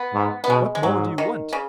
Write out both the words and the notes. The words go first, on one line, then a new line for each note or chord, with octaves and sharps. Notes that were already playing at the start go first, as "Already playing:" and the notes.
What more do you want?'
Already playing: B3
G#2
B3
B2 G#3
G#3
G#2 F#3
D#3
C#3